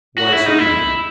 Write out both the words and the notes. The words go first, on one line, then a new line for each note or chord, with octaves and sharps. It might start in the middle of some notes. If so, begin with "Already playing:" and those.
"Why, certainly."
F#4
E4
D#4
E4